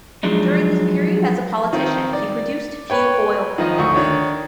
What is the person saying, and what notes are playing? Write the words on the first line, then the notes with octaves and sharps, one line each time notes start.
During his period as a politician, he produced few oil paintings.
F3 F#3 G#3 D4 D#4
D#3 C4
D5
B4 C#5 G5
D#3 F3 D#5
D2 C#6
D#3 D4 C#5